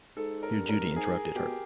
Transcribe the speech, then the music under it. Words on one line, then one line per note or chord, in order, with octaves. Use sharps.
Here Judy interrupted her.
G#2 A4
A#4
G2
A#4
G2
G#2 G#4
B2 G4